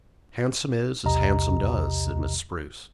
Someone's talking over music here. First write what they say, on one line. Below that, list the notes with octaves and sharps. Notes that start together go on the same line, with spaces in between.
"Handsome is as handsome does," said Miss Spruce.
B1 E2 C3 G4 D#5 A#5